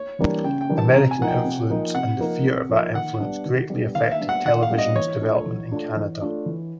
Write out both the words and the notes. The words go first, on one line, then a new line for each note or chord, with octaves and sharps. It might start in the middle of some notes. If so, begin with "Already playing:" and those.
American influence and the fear of that influence greatly affected television's development in Canada.
Already playing: C#5
E3 G3 A#3 D4
C#3 G5
G5
E3 G3 A#3 D4
A5
C3 A#5
G#5
F3 A#3 D#4 F#5
G5
C3
F3 A#3 D#4
C3 F#5
F3 A#3 D#4
C3
F3 A#3 D#4
D#3 F#5
G3 B3 D4
D#3
G3 B3 D4
D#3 F5
E5
G3 B3 D4
F#5
D#3 F#5
F5
G3 B3 D4
D#5
E3 C#5
A3 D4 F4
E3
A3 D4 F4
E3
A3 D4 F4
E3